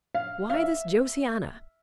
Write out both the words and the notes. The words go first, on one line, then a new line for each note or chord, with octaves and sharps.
Why this Josiana?
F5
F5
E5